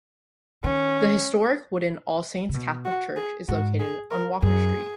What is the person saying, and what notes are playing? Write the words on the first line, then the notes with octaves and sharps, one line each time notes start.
The historic wooden All Saints Catholic Church is located on Walker Street.
D#3 C#4
C#3
B2
F#4
G#4
G#2 F#4
G#4
A#4
F#2 G#4